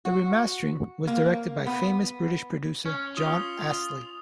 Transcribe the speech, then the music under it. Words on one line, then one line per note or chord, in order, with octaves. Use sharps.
The remastering was directed by famous British producer Jon Astley.
F#4
A#3
B3
C#4
F4 D#6 F7